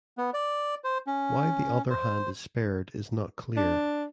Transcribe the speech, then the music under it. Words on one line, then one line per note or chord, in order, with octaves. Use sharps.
Why the other hand is spared is not clear.
B3
D5
C5
C#4
C5
D4